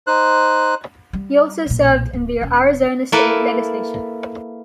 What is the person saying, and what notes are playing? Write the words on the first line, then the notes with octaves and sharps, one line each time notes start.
He also served in the Arizona State Legislature.
D#4 C5 F#6
G3
B1 A#2
D1
E1 C#4
A#3 E4 A4 B4